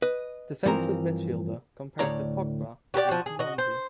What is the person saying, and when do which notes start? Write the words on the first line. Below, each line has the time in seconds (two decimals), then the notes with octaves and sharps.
Defensive midfielder compared to Pogba and Nzonzi.
0.02 B4 D#5
0.65 G2 E3 F3 C4 A#4 A#5
1.99 D2 A2 E3 C#5 D5 A#5
2.94 F#4 G4 A#4 D5
3.09 F3 F#4
3.26 G#4
3.39 F#4 D#5
3.58 C5